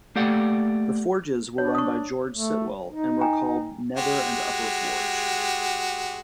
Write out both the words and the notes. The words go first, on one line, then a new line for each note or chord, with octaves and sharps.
The forges were run by George Sitwell, and were called Nether and Upper forge.
A3 A#3 G4 D5 F#5
D4 C#5
C#6 D#6
A3
D#4
G5 G#5 A#5
G#3 F#4 G4